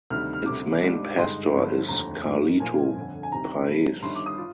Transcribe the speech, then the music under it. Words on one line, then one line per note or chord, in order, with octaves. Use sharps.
Its main pastor is Carlito Paes.
D2 C3 D#3 G3 F6
F6
D2 C3 G3 D6
G#1 G#2 G3 D4
G2 D3 G#3 D#4 C6
G1 G2 D3 F3
F1 D#2 D3 F3 A#5
G1 G2 D#3 A#3 D#4
A#2 F3 A#3 F4 G#5
G1 F2 D3
G#5
C2 C3 D#3 A#5
G1 G2 F3
G1 G2 D#3 C6
D6
D#6
F4